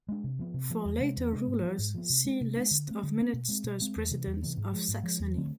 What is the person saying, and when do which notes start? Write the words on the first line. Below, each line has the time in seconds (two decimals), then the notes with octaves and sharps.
For later rulers, see List of Ministers-President of Saxony.
0.09 G#3 D4
0.24 C3
0.39 F3 B3
0.54 C3
0.70 F3 B3
0.85 E2
1.01 C3 G#3 D4
1.17 E2
1.33 C3 G#3 D4
1.47 G#2
1.62 F3 B3
1.79 G#2
1.94 F3 B3
2.10 C3
2.25 G#3 D4
2.41 C3
2.57 G#3 D4
2.71 D3
2.88 A3 C4
3.03 D3
3.18 A3 C4
3.33 B2
3.48 G#3 C4
3.64 B2
3.80 G#3 C4
3.96 E2
4.11 C3 E3 B3
4.26 E2
4.43 C3 E3 B3
4.57 G#2
4.73 F3 G#3
4.88 G#2
5.04 F3 G#3
5.20 E2
5.34 D3 A3 C4